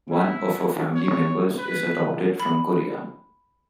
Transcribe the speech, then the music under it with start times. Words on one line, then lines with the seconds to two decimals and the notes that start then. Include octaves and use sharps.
One of her family members is adopted from Korea.
0.11 E4
0.95 C#5
1.58 B4
2.40 B5